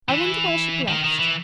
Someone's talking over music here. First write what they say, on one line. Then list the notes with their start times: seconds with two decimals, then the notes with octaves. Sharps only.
I wonder why she blushed.
0.09 E3
0.88 D#3
1.04 D#3
1.20 E3